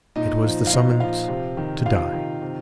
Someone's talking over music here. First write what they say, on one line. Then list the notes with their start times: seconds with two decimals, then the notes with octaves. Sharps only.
It was the summons to die.
0.16 A#2 D#4 D#5
0.44 F3
0.67 F5
0.72 A#2 D#4 D#5
1.00 F3 F4 F5
1.28 C3
1.57 D#3
1.86 C3 F4 F5
2.14 D#3
2.42 C3